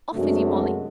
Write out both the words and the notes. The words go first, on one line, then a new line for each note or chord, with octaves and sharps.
Off with you, Molly.
F#2 C3 G#3 A3 D4 F#4